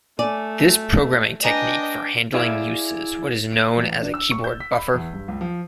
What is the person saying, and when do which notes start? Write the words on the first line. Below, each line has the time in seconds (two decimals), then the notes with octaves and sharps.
This programming technique for handling uses what is known as a keyboard buffer.
0.19 A3 D5 G#5
1.43 D4 B4 D#5 G5 G#5 A#5
2.34 E4 G#4 D5 E5 F5
3.53 D7
3.77 A1
4.02 D4
4.14 E6
4.31 C#6
4.44 G6
4.60 B6
4.72 B5
4.94 E2
5.13 G2
5.28 C#2
5.41 F3